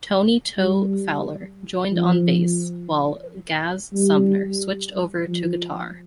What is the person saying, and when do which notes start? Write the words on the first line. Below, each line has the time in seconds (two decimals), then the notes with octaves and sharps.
Tony "Toe" Fowler joined on bass, while Gaz Sumner switched over to guitar.
0.57 G3
1.91 F3
3.93 G3
5.27 F3